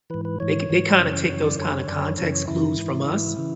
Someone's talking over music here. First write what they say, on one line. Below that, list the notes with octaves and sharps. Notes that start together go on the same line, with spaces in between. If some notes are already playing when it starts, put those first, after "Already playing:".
they k they kinda take those kinda context clues from us.
G#2 E3 B4
B4
G#2 E3 C#5
G#2 E3
F#2 C#3 E3
F#2 C#3 E3 C#5
D5
F#2 D3 C#5
C#5
F#2 D3 D5
C#5
F#2 C#3 E3 C#5
C#5
F#2 C#3 E3 E4
G#2 E3
G#2 E3
C#3 E3